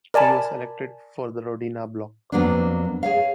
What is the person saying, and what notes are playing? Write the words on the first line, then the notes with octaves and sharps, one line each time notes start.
He was elected for the Rodina bloc.
A#4 D5 G#5 A5 B5
F2 F#3 A#3 B3 D4
G#4 C#5 F5